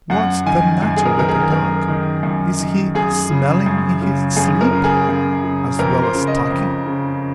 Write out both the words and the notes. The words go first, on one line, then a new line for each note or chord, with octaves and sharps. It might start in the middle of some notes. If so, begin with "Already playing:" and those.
"What's the matter with the dog? Is he SMELLING in his sleep--as well as talking?"
F#2 F#5
D#3 G#5
F#2
G#4
A#4
D#3 A#4
G#4
F#2 A#4
D#3
F#2
D#3
F#2 G#4
C#3
F#2
C#3
F#2 G#4
A#4
C#3
G#4
F#2
C#3
F2 A#4
C5
C#3
D#5
F2
C#3